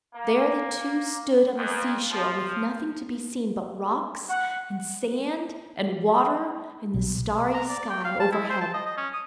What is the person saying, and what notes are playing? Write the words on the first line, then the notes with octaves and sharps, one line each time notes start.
There the two stood on the sea-shore, with nothing to be seen but rocks and sand and water, and the starry sky overhead.
A#3
F2
F3
F#5
B1
A#5
D5
G5
F5
A5
E4
C5
A5
D#5
D#5
C#4
D#6